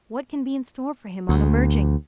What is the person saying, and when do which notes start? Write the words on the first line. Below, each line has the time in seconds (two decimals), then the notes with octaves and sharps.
What can be in store for him on emerging?
1.29 D2